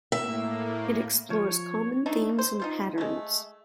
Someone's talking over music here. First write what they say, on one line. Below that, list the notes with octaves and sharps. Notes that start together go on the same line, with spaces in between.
It explores common themes and patterns.
A2 A#3 E5
F3 C#5
A3 D4 D#4
C5
D#4 F4 C5
G#3 A3